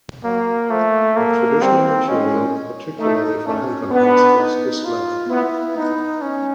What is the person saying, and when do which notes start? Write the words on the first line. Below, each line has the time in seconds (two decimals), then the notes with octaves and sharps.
The traditional material, particularly for handgun holsters, is leather.
0.24 F#3 A#3
0.70 F3 A3
1.16 F#3 A#3
1.62 G3 C4
2.08 G#3 C#4
2.99 A3 D#4
3.46 A3 C#4
3.91 B3 D4
4.38 D#4
4.85 F4
5.30 B3 E4
5.76 B3 D#4
6.22 C#4